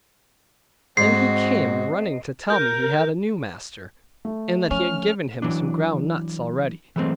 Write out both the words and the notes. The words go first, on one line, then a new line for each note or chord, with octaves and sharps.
Then he came running to tell me he had a new master, and that he had given him some ground nuts already.
G#2 C4 F#4 D#5 C7
A#4 G6
A3
F3 C#4 F6
E3 F#3 D4
E3 F#3 G#3 A3 C4